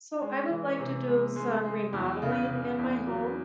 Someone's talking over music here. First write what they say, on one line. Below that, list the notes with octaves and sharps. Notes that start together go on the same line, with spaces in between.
So I would like to do some remodeling in my home,
G#3
E3
C3
G#3
G#3
G#3
E2
C#3
C#3
E2
F#3